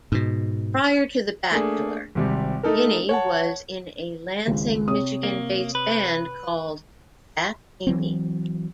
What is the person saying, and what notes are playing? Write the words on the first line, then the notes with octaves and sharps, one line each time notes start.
Prior to "The Bachelor", Guiney was in a Lansing, Michigan-based band called "Fat Amy".
G#2 B2
A3 A#3 D4 G#4
G#1 C3 G3
A3 D#4 A4 A#4
C#5 F#5 A5
G#1 C#2
C3 C#5 D#6
A#3
B4
E3 F#3 C4